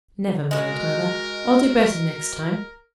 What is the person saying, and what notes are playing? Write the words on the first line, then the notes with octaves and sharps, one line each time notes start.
'Never mind, Mother; I'll do better next time.'
G#3 F#4 A#4